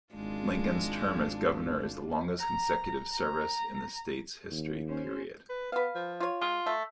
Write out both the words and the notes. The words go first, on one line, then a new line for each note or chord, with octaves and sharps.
Lincoln's term as governor is the longest consecutive service in the state's history.
G#1 G#3 D4 F4
A#5
A#5
D#2
C#4 C5
B4
B3 B4 F5
F3
F4 C#5
G#3 F4
A3